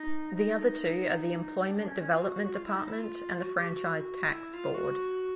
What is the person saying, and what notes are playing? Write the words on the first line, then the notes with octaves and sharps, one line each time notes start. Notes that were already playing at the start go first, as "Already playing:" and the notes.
The other two are the Employment Development Department and the Franchise Tax Board.
Already playing: D#4
D#4
D#4
D4
D4
C#4
C#4
F4
F#4
F#4
F#4
F4
E4
D#4
E4
F4
F#4
G4
F#4
F4
E4
F4
F#4